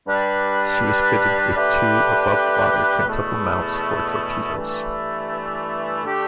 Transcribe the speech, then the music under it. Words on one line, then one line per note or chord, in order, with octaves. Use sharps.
She was fitted with two above-water quintuple mounts for torpedoes.
G2 G3 D4 B4
D3 A3 D4 G4 B4
E2 B2 A3
G2 E3 A3
D3 A3 D4 G4